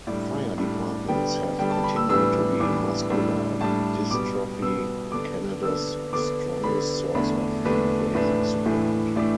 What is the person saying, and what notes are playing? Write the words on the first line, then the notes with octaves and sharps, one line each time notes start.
Fire departments have continued to be Muscular Dystrophy Canada's strongest source of fund-raising support.
A2 G3 D4 D5
A2 G3 D4
D3 G3 B3 D4 G5
D3 G3 B3 D4 G5
A5
B5
E6
A2 E3 G3 B3 D4 E6
A2 E3 G3 B3 D4 D6
A2 G3 D4
A2 G3 D4 A5
B2 G3 B3 D6
B2 G3 B3 E6
D3 B3 D4 D6
D3 B3 D4 E6
D3 B3 D4 D6
D3 B3 D4 B5
E2 D3 A3 D4 B5
E2 D3 A3 D4 B4
A2 E3 A3 D4 B4
A2 E3 A3 D4
A2 E3 A3 D4 D5